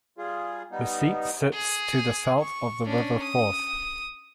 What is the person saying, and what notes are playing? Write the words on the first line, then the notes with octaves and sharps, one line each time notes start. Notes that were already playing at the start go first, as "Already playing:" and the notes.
The seat sits to the south of the River Forth.
G3 F4 G#4
G3 B3 D#4
G#4
C#6
C#4 D4
D#6